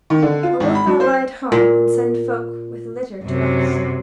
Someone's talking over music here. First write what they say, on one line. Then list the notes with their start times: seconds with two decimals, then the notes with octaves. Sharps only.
Or wilt thou ride home and send folk with a litter to us?
0.10 D#3
0.22 D3
0.43 F4
0.60 G#1
0.75 B5
0.87 F#3
1.00 C5
1.52 A#2
3.24 F#2 C3